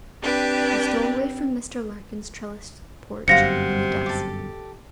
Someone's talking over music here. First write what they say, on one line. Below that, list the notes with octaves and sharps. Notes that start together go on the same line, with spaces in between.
He stole away from Mr. Larkin's trellised porch, in the dusk.
C4 D4 G4 B4
G1 F#2 C3 C5 F5 F#5 A#6 C#7
G4 A4